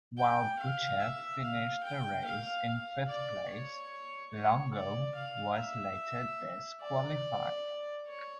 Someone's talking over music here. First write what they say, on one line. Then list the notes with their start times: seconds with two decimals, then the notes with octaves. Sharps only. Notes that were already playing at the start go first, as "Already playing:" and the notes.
While Bucher finished the race in fifth place, Longo was later disqualified.
0.18 G5
0.59 F5
1.00 E5
1.42 F5
1.83 G5
2.25 F5
2.67 F5
3.09 D5
3.49 C#5
4.32 C#5
4.74 D5
5.15 F5
5.57 E5
6.81 D5
8.07 C#5